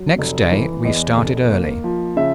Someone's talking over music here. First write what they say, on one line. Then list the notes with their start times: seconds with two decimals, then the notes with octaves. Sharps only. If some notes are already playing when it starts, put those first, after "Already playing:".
Next day we started early.
Already playing: F#3
0.19 F1
0.52 E3
0.84 E2 D#5
1.17 F1
1.50 A#3
1.84 F3
2.17 C#3 E5